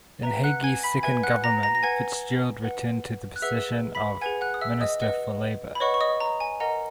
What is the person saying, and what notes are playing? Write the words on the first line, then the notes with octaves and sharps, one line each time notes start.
In Haughey's second government Fitzgerald returned to the position of Minister for Labour.
B4 E5 A#5
F#5 F#6
G#5 G#6
B5 B6
B4 E5 G#5 G#6
F#5 F#6
A#5 A#6
A#5 A#6
A#6
B4 F#5 G#5 G#6
B4 F#5
F#6
G#4 B4 E5 F#5 E6
B5 B6
G#4 B4 F#5 G#5 G#6
F#5 F#6
D#6
E5 E6
D#5 D#6
B4 D#5 F#5
B5
B4 C#5 D#5 F#5 C#6
C#6
D#5 D#6
A#5
G#5
A#4 D#5 F#5 A#5